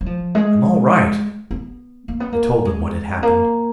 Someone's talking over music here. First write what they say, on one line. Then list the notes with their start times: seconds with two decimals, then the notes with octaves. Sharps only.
"I'm all right." I told them what had happened.
0.01 F#3
0.06 F3
0.35 G#3
1.51 B3
2.08 A#3
2.20 B3
2.32 A#3
2.65 G#3
3.23 A#3